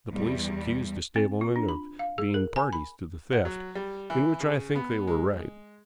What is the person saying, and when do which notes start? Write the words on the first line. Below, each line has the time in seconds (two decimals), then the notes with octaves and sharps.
The police accused the stablemen of being parties to the theft, in which I think they were right.
0.11 E2 G3
1.16 C4
1.41 F4
1.56 D4
1.69 B5
1.99 F5
2.18 G#4
2.34 A#4
2.56 G#5
2.73 B5
3.33 F#5
3.45 F#3
3.75 G3
4.10 E3
4.40 C#3
4.75 B3
5.07 G#3